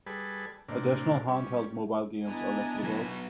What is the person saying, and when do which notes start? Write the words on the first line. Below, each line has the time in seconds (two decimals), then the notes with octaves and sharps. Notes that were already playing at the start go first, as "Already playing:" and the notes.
Additional handheld and mobile games are listed above.
0.06 G3 G#4 A4 B4
0.68 A2 C3 A#3 D4
1.28 G3 C#4
2.25 B3 D4 E4 D#5 G#5 A#5
2.84 F#3 B4